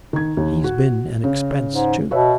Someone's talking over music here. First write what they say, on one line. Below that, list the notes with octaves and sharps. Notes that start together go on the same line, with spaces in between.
He's been an expense too.'
D#3 G#6
D#2 D#3
F#4
C#3
G#2
B2 B4 C#5 E5